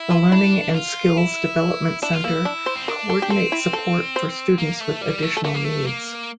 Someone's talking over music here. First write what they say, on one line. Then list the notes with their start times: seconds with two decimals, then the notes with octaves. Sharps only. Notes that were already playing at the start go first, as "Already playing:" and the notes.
The Learning and Skills Development Centre co-ordinates support for students with additional needs.
Already playing: E4
0.11 F4
0.32 D4 E4
0.74 F4
1.17 E4
2.02 D4 E4
2.13 F4
2.24 A#3 E4
2.45 D4
2.66 C5
2.76 C4
2.88 D4 A#4
3.09 A4
3.22 G4
3.30 C4 A4
3.52 E4
3.73 A4
4.16 C5
4.58 A#3
4.80 A3
5.02 G3
5.22 A3
5.37 A4
5.44 A3 A#4
5.54 A#3
5.64 A3
5.87 A#3